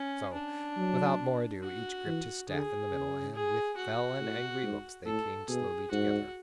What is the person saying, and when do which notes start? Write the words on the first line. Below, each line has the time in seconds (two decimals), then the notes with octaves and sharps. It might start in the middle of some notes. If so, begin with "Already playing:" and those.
So, without more ado, each gripped his staff in the middle, and, with fell and angry looks, they came slowly together.
Already playing: C#4
0.34 D4
0.77 F#3
1.63 F#4
2.06 E3
2.49 D3 G#4
2.91 C#3
3.35 G#4
3.77 F#4
4.20 A2
4.62 G#2
5.05 A2 A4
5.49 B2 G#4
5.91 G#2 F#4